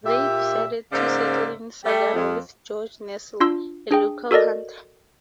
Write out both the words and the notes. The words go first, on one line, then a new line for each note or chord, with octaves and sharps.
They decided to settle in Sagara with George Nestle, a local hunter.
A#2 G4 E5
G#2 C#3 A#3 C5 D5 E5
G3 A3
F2
D4 F4 C6 E6
D4 G#4 G5
F#4 A4 A#4 D5 D#5